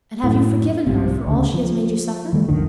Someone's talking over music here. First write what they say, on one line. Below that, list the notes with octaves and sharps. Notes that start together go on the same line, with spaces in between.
"And have you forgiven her for all she has made you suffer?"
F#2 A2
C2 G#2 C3
D2 C#3
F3
D#3 G3 A3
C2 F#2 D3 D#3